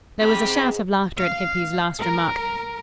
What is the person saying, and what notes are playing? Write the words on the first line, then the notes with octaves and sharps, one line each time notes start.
There was a shout of laughter at Hippy's last remark.
G#2 C4 G4 G#4 B5
F5
A#4